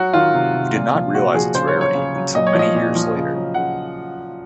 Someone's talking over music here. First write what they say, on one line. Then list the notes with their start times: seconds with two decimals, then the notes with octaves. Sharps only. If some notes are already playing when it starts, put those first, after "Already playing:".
He did not realize its rarity until many years later.
Already playing: F#3 F#4
0.13 D#3 F4
0.34 C3
0.54 C3
0.74 A#2
0.95 F3
1.14 A#2 F#4
1.34 F3 G#4
1.55 C#3 C5
1.68 C#5
1.75 F#3
1.81 C#5
1.95 C#3
2.15 F#3
2.35 A#2 D#5
2.47 C#5
2.54 F3 D#5
2.75 A#2
2.95 F3
3.15 C#3
3.35 F#3
3.54 C#3 F#5